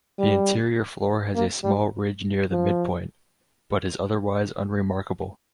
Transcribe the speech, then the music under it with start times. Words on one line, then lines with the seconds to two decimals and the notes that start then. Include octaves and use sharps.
The interior floor has a small ridge near the midpoint, but is otherwise unremarkable.
0.19 G3
1.35 A#3
1.64 G3
2.51 F3